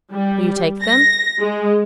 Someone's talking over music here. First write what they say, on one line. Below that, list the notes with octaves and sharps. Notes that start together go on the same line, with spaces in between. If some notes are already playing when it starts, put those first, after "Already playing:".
"Will you take them?"
G3
A#6
G#3